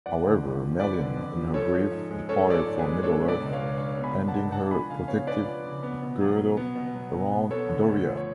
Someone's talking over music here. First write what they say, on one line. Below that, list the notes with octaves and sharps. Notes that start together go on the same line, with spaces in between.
However, Melian, in her grief, departed from Middle-earth, ending her protective girdle around Doriath.
F2 D5 F#5
D3
F2
F3
F2 B4 D5
D3
F2
F3
C#4 A4 C#5
F3
G#2
G#3
C#4 A4 C#5
F3 D5
A4 C#5
G#2
G#4 B4
G#3
D4 A4 C#5
B2
B4 D5
C#2
C#5 F5
G#3
D4 C#5 F5
B2
G#5 B5
C#2
F#5 A5
G#3
D4 F#5 A5
F3 G#5 B5
C#3 F5 G#5
B3 C#5 F5
D4 B4 D5
F3
C#3
B3
B2
F#3
B2
B3
B2
F#3
B2
B3
B3 A4 C#5
D3
D2
F3
C#5